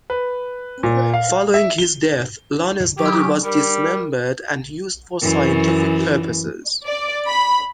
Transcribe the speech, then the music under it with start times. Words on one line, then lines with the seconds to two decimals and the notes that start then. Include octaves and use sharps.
Following his death, Lanne's body was dismembered and used for scientific purposes.
0.10 B4
0.83 A#2
1.14 F5
1.54 E5
1.78 G7
2.98 F#3 G4
3.44 G3 A#4
5.21 F#2 E3
6.86 D5
7.29 B5